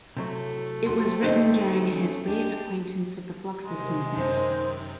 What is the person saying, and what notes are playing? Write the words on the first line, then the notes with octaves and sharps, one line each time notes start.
It was written during his brief acquaintance with the Fluxus movement.
A2 C3 F#3 A3
C4 F#4 C6
G1 D#3 B4 C5 D#5
C#4
G#3 D4 G4
C3 D#3 G#3
F#2 C3 D#3 C5